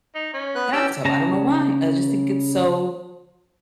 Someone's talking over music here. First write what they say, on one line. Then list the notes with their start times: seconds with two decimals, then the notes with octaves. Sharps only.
bathtub." I don't know why. I just think it's so
0.15 D#4
0.34 C#4
0.55 B3 B4 F#6
0.73 C#4 G4 E6
1.05 C#3 A5 A#5